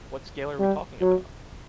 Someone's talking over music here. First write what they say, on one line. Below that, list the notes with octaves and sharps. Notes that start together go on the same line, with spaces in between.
What scale are we talking about?
G3
F#3